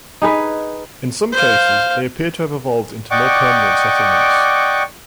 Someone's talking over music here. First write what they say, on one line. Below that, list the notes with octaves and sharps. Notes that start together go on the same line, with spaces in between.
In some cases, they appear to have evolved into more permanent settlements.
D#4 G#4 B4
C5 F5
D5 D#5 F#5 G5 C#6 D6